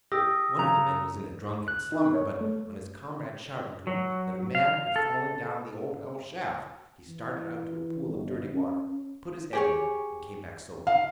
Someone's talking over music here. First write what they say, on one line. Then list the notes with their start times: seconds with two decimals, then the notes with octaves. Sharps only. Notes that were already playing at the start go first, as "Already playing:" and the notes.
One of the men was in a drunken slumber, but on his comrade’s shouting to him that a man had fallen down the Old Hell Shaft, he started out to a pool of dirty water, put his head in it, and came back sober.
0.12 G4 D#6 E6 A#6
0.59 C#3 A#5
1.68 F#6
1.92 D#4
2.14 C#5
2.41 A3
3.87 F#3
4.55 F5
4.96 A4
7.10 E3
8.07 G1
8.53 C#4
9.53 G4 G#4 C#5
10.87 F5